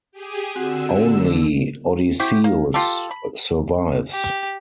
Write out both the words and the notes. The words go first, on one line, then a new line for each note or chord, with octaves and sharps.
Only Odysseus survives.
G4 G#4 G#5
D3 C4 F#4 F#5 E6
C4 E4 F#4 G4
A#3
F4 G4 A4
B5
G4